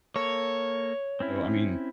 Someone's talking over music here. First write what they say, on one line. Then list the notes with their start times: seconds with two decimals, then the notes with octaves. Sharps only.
So, I mean,
0.16 A#3 A4 C#5
1.20 C4 C#4 E4